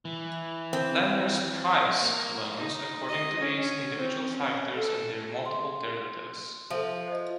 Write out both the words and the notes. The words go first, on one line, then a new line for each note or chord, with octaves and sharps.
Lenders 'price' loans according to these individual factors and their multiple derivatives.
E3
C4
A#3
D#4
D#5
C#4
C4
C#4
A4
C6
F3 A4 C5 E5
C5 D#5